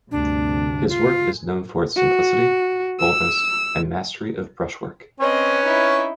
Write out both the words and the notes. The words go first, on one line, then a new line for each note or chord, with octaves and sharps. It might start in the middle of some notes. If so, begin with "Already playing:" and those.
His work is known for its simplicity, boldness and mastery of brushwork.
D2 G2 C3 D4
F4
F#4
E6
C4 C#4 B4 C#5 D#5
D#4 E4